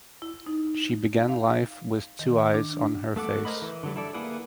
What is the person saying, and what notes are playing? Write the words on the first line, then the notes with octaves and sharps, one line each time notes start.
She began life with two eyes on her face.
E4
D#4
F5
D#3
D4
A3 A4 F#5 D6
A#4 C5 D#5 B5
E3
D3 F#3 G3
E4 A4 D5
A#3 E4 G#4 B4 F#5